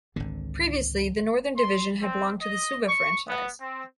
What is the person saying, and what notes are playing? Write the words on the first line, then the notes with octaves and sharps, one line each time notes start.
Previously the Northern Division had belonged to the Suva franchise.
G#1 C#2 D3 C4
C6
C4
D#5
C#6
B3
C4